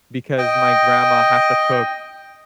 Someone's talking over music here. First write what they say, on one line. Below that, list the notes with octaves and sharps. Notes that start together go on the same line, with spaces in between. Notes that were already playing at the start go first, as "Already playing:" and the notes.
because my grandma has to cook
D#5 G5